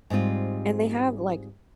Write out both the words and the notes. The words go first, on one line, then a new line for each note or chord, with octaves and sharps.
and they have, like,
G#2 G3 C4 F4